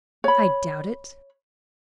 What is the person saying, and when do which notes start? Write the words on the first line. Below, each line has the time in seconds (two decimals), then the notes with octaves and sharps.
"I doubt it."
0.24 C#5 B5